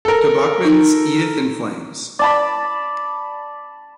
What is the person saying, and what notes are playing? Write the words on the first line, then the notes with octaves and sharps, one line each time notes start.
Tobocman's Edith In Flames.
A4 A#4
D#4
D5 A5 B5